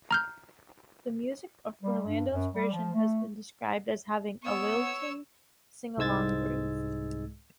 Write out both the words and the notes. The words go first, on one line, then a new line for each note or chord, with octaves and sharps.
The music of Orlando's version has been described as having "a lilting, sing-along groove".
A#5 F6 G6
G3
G2
F#2
G3
F3
A3
B3 C#5 E6
C2 G#2 G#3 E6 G#6 A6